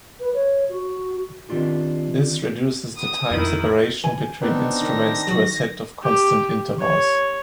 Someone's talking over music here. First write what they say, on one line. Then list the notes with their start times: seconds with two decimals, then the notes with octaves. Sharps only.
This reduces the time separation between instruments to a set of constant intervals.
0.20 B4
0.34 C#5
0.69 F#4
1.49 D#3 C4 D4 F4 G4
2.97 D#6
3.31 F2 D#3 E4
4.04 E3 G#5
4.42 B3 C4 D4 D#4
4.81 D#3 A#6
5.27 F#3 F#4
6.03 G4
6.79 C#5